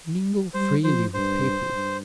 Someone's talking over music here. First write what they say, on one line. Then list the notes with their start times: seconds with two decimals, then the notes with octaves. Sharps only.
Mingle freely with people.
0.54 G3 C5
0.84 F3 C5
1.14 G2 C5
1.73 G2